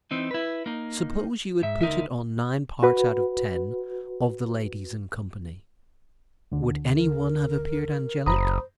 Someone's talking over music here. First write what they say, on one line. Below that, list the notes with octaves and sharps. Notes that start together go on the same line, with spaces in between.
Suppose you had put it on nine parts out of ten of the ladies in company, would any one have appeared angelic?
E3 C4 D#4
E4 B4
A#3 D#4
G#2 E5
D2 D#4 A#4 E5
F#4 B4
D2 D3
A#4
F#1 C5 A#5 B5 D#6